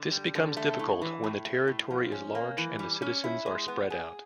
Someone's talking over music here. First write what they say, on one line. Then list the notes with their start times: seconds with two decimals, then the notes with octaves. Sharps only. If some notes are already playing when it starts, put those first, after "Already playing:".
This becomes difficult when the territory is large and the citizens are spread out.
Already playing: D3
0.12 G3
0.35 D3
0.57 A3
0.79 A2
1.02 E3
1.24 A2
1.45 A3
1.68 A2
1.90 F3
2.12 C#4
2.35 A#3
2.58 E3
2.79 G3
3.02 C#4
3.24 E4
3.46 G#3
3.68 B3
3.90 G#4